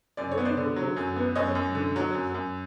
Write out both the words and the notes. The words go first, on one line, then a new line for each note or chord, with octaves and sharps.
Fury proposed to her, but she did not accept.
F#2 D5
C#5
B3
C5 D5
D3
F#3
F#2
B3
F#2 C#5 D#5
F#2
D3
F#3
F#2
F#2